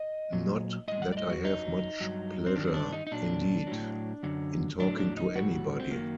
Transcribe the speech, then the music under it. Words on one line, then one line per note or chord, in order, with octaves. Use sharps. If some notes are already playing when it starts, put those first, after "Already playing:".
Not that I have much pleasure, indeed, in talking to anybody.
Already playing: D#5
A#2 F#3
A2 G3 D#5
F#5
D5
D#5
F#4
F#2 F#3 D#4
G2 F#3
C4
G2 D#3 G3 D4
C4
D4
D#4
D#4
A#2 F#3 D4
A2 F#3
F#2 D3 F#3
A2 F#3 D4
D4
D#4
A2 G3 F#4
C4
F#2 D#3 F#3 A#3